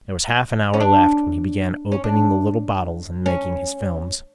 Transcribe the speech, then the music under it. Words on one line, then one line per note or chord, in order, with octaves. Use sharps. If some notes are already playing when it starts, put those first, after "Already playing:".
There was half an hour left when he began opening the little bottles and making his films.
C#4
D4
C#4
D4
C#4